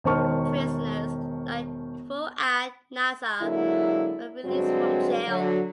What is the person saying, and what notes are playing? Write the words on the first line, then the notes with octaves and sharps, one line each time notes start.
Prisoners, like Fu'ad Nassar, were released from jail.
E1 D#3 C5 A5 C#6 F6
D3 F#3 G#3 A#3 E4
G2 D3 F#3 G#3 C4 F#4
D3 F#3